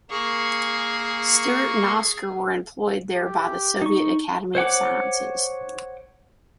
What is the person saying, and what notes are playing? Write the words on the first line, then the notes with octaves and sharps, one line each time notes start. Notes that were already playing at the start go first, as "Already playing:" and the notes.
Stuart and Oscar were employed there by the Soviet Academy of Sciences.
A#3 G#4 C#6
G4
D#4 C#6
C5 C#5 F#5 D6